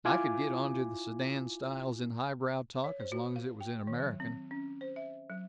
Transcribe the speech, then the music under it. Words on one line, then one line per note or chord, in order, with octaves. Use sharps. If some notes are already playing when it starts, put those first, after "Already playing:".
I could get onto the sedan styles in highbrow talk as long as it was in American.
E4 F4 G#5 D6
C#5
C5
F#4
F5
G5
D#3
F#3
C4
C#4
C5
E5
F#3